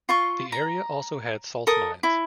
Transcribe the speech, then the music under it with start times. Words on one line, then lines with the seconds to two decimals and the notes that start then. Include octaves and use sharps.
The area also had salt mines.
0.09 F4 C6 C#6
0.52 A#5
1.67 A4 A#4 D#6
2.03 E4